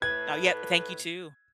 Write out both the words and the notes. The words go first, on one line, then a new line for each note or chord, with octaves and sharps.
Oh, yeah, eh, thank you, too.
A2 B4 G#6